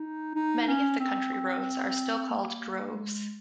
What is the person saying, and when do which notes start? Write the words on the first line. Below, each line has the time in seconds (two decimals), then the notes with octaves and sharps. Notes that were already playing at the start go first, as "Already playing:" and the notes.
Many of the country roads are still called droves.
Already playing: D#4
0.35 D#4
0.68 C#4
1.00 C4
2.30 A#3
2.95 G#3